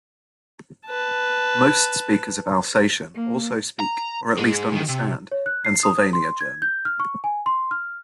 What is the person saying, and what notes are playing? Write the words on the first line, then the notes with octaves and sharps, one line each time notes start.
Most speakers of Alsatian also speak or at least understand Pennsylvania German.
B4 A5
A#3
A#5
G#2 G#3
D2 D#3
C3
C#5
F#6
C7
D#6
C6
G#6
G6
F6
C#6
G#5
C6
F6